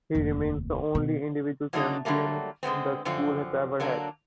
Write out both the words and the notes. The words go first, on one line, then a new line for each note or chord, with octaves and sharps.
He remains the only individual champion the school has ever had.
F1 D#2
B2
D3 F#3 A3 A#3 D4 D#4
D3 F#3 G3 A3 A#3
D3 G#3 B3 C4
F#2 D3 F3 C4
D3 F#3 A#3 D4